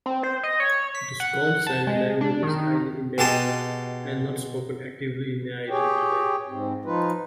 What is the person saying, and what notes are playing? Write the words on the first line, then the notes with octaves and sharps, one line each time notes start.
The Skolt Sami language is highly endangered and not spoken actively in Neiden today.
C4
C5
D#5
C#5
B6
F#5
A5
G#3
D4
D#3
B2 G#3 G4 A5 D#6
G4 G#4 C#5 G5
G#2 C4
F3 D#4 F4 B4